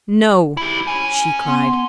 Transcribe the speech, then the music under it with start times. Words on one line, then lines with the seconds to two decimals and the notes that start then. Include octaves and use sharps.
"No!" she cried.
0.57 E4 G4
0.87 C#4 G#5
1.46 B3 C6